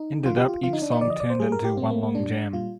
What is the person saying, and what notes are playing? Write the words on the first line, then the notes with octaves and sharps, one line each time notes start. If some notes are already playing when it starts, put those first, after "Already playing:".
Ended up each song turned into one long jam.
Already playing: D#4
D3 F3 F4
G4
F4
D3 F3 F4
D#4
D4
D#4
D3 F3 D5
D#5
D5
C5
A#2 G3 G#4
A#4
G4
A#2 G3 C4
A#3
A#3
A#2 G3 D4
A#2 G3 F4